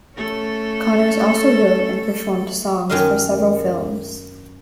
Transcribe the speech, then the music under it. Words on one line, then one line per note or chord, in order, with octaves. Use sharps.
Connors also wrote and performed songs for several films.
A3 C#4 A4
F#2 D#3 A#4 D#5 F5